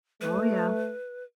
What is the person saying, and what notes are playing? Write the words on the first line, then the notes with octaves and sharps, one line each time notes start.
Oh, yeah.
A3 B4